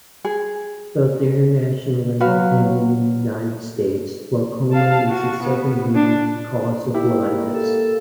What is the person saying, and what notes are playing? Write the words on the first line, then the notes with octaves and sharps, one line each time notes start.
Both internationally and in the United States glaucoma is the second-leading cause of blindness.
G#4
F#3 F#4 B4 F5
F5 A5
F#4
B3
D4
A#3 E4 G4
A4